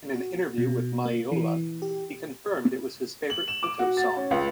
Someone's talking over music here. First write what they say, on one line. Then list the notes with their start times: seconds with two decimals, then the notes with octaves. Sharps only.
In an interview with Maiola, he confirmed it was his favourite Koto song.
0.14 F#4
0.58 B2
1.06 A#3
1.32 E3
1.82 G4
3.30 F#7
3.48 E7
3.63 D6
3.79 F#4
3.97 A6
4.16 C#4
4.31 C#2